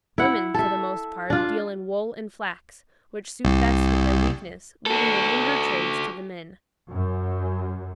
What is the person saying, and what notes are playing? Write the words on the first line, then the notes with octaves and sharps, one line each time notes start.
Women, for the most part, deal in wool and flax, which suit best with their weakness, leaving the ruder trades to the men.
E4 F#5
A4 E5
D4 F4
C2
F#4 A4
F#2